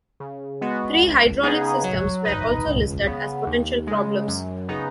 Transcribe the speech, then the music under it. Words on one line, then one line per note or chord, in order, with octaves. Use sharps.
Three hydraulic systems were also listed as potential problems.
C#3
G#3 B3 F#4
C#2
C#3 B3 D#4 G#4
F#3
D#4 B4 D#5
C#2
C#3 B3
D#2
C#3 G#3
F#2
C#3 B3 D#4